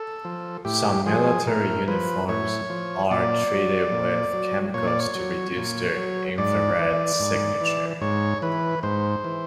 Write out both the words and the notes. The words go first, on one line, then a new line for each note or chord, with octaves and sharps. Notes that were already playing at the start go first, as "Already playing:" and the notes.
Some military uniforms are treated with chemicals to reduce their infrared signature.
Already playing: A4
F3
A2 G4
F3 G#4
A2 A#4
F3 B4
A2 C#5
F3
A#2 D5
F#3
A#2
F#3
A#2 C#5
D5
C#5
F#3
A#2
F#3
G#2 D5
E3
G#2
E3
G#2 C#5
E3 B4
G#2 C5
E3